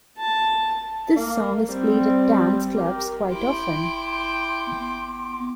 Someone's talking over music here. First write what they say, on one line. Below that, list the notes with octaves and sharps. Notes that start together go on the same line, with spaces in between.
This song is played at dance clubs quite often.
A5
A#3
G3 C4
G4 A#4
E4 G5 C6 D6
B3